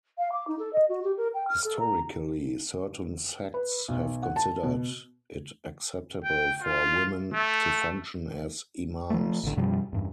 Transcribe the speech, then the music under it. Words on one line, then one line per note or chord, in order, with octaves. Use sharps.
Historically, certain sects have considered it acceptable for women to function as imams.
F5
D6
D#4
A4
D#5
F#4
G4
A#4
G5
F6
A4
A#5
B4
B1
F#5
A5
B2
G5
F4
A3
F3 A3
A1 D3
F#2 B2 F3 G3
E2 G2